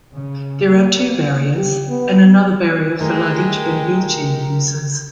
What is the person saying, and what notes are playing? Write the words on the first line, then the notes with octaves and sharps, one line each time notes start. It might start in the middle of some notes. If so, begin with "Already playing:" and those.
There are two barriers, and another barrier for luggage and wheelchair users.
C#3
A#3
G4
B3
D#3 G#3 A3 G4 A#4